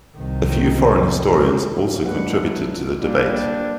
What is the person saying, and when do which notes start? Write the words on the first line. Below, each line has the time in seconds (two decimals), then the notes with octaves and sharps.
A few foreign historians also contributed to the debate.
0.18 C2 D#3
2.04 F#3 G#3 A#3 D4 B4 F#5
2.29 E4
3.00 G3 A#3 D4 G4